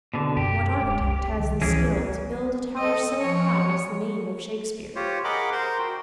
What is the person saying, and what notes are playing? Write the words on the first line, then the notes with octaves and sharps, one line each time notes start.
What architect has the skill to build a tower so high as the name of Shakespeare?
B2 D3
F#2 G4
D#1 F#2 G#3
C2
D#3 G3
G#1 C#2 E3 F3 C#4 G#4
A4 D#5
F3 C#5
F4 G4 C5 C#5
G#4 A#4 D#5 F#5 B5 D6
A#4 C5 C6
F#4 G5